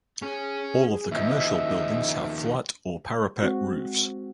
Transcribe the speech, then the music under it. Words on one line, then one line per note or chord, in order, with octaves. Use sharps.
All of the commercial buildings have flat or parapet roofs.
C#4 G#4
D#2 F3 D#5 E5
G#3 C4 F#4